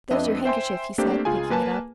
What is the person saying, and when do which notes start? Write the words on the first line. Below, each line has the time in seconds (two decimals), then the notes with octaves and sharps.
"There's your handkerchief," he said, picking it up.
0.11 F2 C4 D4 B4 D#5 E5
0.45 C5 E5 G5 G#5 C6
0.98 A3 A#3 C4 D4 G4 C5
1.25 C#2 F4 G#4 G#5
1.50 A#3 B4 G#5 A5